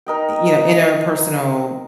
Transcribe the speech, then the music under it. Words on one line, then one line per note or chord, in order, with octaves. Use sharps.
you know, interpersonal
D#4 A#4 D#5 G5